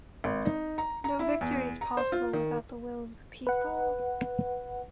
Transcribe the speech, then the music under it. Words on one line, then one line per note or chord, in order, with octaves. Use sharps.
No victory is possible without the will of the people.
G#1
D#4
A#5
A#5
E4
E2
A#5
C5
F4
D#3
B4 F#5